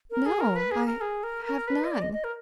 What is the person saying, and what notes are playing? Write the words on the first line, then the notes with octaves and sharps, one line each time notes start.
"No; I have none."
A#4
G#4
A#4
B4
G#4
A#4
G#4
A#4
A#4
B4
D#5
D5
D#5
D#5
A#4